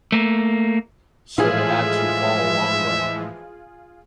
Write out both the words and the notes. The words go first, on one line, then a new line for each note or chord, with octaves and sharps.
So they had to fall a long way.
A3 A#3
A2 E3 F3 G#3 F4 G#4 E5